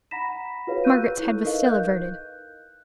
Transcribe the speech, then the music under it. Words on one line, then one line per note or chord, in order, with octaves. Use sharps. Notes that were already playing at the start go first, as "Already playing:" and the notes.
Margaret's head was still averted.
F#5 A#5 B5 A#6 B6 E7
F4 F#4 G#4 B4 C#5 F5
C#6 E6 F#6 G6 D#7
E4 A4
D#4 A#4 B4 D#5 F5
F#6 G6